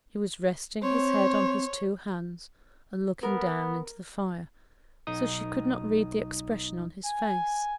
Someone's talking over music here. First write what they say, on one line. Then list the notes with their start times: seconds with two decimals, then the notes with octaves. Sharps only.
He was resting his head on his two hands, and looking down into the fire, so she could not read the expression on his face.
0.83 C4 C5 C#5
3.23 B3 A#4
5.07 B1 D#4 D#6
7.06 G#5